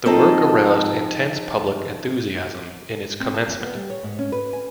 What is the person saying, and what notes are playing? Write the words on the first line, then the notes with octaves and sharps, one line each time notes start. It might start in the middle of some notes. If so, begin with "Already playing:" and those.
The work aroused intense public enthusiasm in its commencement.
F3 C4 D#4 G#4 A4 D#5
C4
A5
F#2
B3
G3
C#5
G#2
C#4
B4
G#5